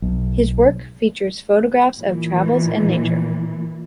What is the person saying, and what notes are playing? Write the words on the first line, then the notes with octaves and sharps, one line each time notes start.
His work features photographs of travels and nature.
B1
A#2 E3